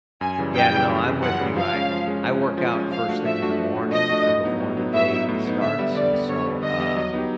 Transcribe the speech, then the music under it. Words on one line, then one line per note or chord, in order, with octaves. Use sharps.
Yeah, no, I'm with you. I I work out first thing in the morning, uh, before the day starts, and so, um,
F#2 G#5
C#3 E3 G3
F#2 G5
C#3 E3 G3
F#2
C#3 E3 G3
F#2 F#5
C#3 E3 G3
F3 F5
G#3 C#4
F3
G#3 C#4
F3
G#3 C#4
F3
G#3 C#4
F3 F5
A3 D4 F#4
F3 E5
A3 D4 F#4
F3
A3 D4 F#4
F3 D#5
A3 D4 F#4
A2
F#3 B3 D#4
A2
F#3 B3 D#4
A2 E5
F#3 B3 D#4
A2
F#3 B3 D#4
D3 E5
G3 B3
D3 D5
G3 B3
D3 C#5
G3 B3
D3 D#5
G3 B3
F#3
B3 D#4 G4